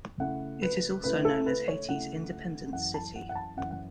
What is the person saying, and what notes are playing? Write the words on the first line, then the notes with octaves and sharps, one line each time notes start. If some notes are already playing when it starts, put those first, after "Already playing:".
It is also known as Haiti's "independence city".
C#3 A3 E4 F#5
B4
C#3 A3 E4 B4
A4
B4
C#5
C#3 A3 E4 F#5
F#2 E3 C#4 E4 F#5
A5
F#5
F#5
A5
F#2 E3 C#4 E4 F#5
F#5